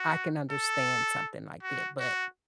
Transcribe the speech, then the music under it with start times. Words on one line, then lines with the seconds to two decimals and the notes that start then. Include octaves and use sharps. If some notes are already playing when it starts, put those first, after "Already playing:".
I can understand something like that, but
Already playing: F#4
0.50 A4
1.63 F#4
2.00 F#4